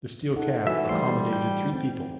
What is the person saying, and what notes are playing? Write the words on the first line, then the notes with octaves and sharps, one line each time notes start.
The steel cab accommodated three people.
D#4 A4 F#5
E3 G#3 F#4 E5
E3 G3 A3 C5 C6
G5
C4